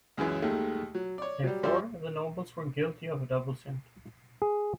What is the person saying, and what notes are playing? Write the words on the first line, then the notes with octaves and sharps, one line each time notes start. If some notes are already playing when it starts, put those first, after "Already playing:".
Therefore, the nobles were guilty of a double sin.
C#2 F#2 C#3 E3
D#2 D#3 G#3 A3
F#3
C#5 D5
F#3 G3
F#2 F3 G3 C5 D5 E5
G#4